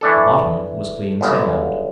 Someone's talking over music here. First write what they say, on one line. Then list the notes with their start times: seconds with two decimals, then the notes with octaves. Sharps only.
The bottom was clean sand.
0.01 E3 A3 D4 A4
1.21 G1 F#2 C#3